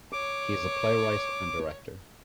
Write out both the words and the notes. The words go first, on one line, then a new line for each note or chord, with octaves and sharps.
He is a playwright and director.
C#5 D6